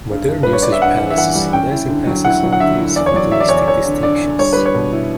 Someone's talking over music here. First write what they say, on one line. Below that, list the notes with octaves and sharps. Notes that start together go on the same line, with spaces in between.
Modern usage places less emphasis on these fatalistic distinctions.
G2
G2
G3 B4
C#5
G2 D5
E5
G2 F#5
E3
E5
E3 F#5
G3
C#4 G5
E4
D3
F#3
E4 F#5
F#3
F#5
D3 E5
E4
E2 D5
C#5
F#3 D5
F#3 E5
D5
E2 C#5
D5
E2 C#5
D3
D3 D5
D3
G3 C#5
G3 B4
C#5
B2
E4